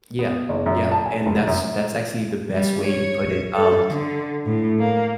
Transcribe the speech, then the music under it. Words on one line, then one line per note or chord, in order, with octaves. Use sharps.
Yeah, yep, and that's that's actually the best way you put it, um,
B3
F#1
F#2
A5
G#5
F1
F#2
G3
C#5
A4
D3
A2
A#3